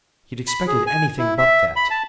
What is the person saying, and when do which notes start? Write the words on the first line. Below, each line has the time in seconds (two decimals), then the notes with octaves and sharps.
He had expected anything but that.
0.48 B5
0.67 G#4
0.87 G#5
1.18 E4
1.38 E5
1.76 B5
1.90 A5